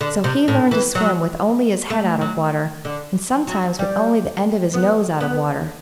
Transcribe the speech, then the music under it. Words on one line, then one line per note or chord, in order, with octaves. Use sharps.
So he learned to swim with only his head out of water, and sometimes with only the end of his nose out of water.
D3
C3
A2
E3
F#3
A3
F#3
D3
F#3
G3
B3
B3